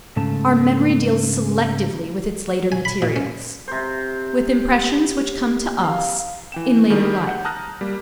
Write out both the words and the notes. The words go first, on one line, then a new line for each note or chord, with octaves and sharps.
Our memory deals selectively with its later materials, with impressions which come to us in later life.
G#2 C#3 A3 A5
G#5
B5
A#2
C#4
C3 C5
F5
E3 G5 E7
D3 D#3 G3 A3 G#4
F#5 G6
A5 A#5 D#6 F6 F#6 A#6
G3 A#3